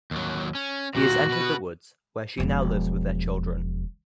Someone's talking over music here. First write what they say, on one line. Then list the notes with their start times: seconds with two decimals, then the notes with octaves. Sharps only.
He has entered the woods where she now lives with their children.
0.11 D#2 F#3
0.55 C#4
0.95 D#2 A#2 F#4
1.29 B2 B4
2.38 E1 F3